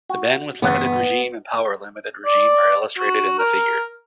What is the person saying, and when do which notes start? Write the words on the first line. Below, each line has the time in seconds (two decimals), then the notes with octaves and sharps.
The bandwidth-limited regime and power-limited regime are illustrated in the figure.
0.09 F#4
0.62 G1 E2 B3 F#5
2.25 D5
2.98 F#4
3.38 A#4